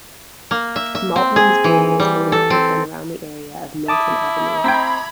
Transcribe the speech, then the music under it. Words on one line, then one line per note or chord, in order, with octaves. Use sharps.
Maltmans Green is believed to have been around the area of Milton Avenue.
A#3
E5
E5
C4
G#4
E3
G3
A4
C4
E4 A5 D6 D#6
C4 G5 A#5 B5 G#6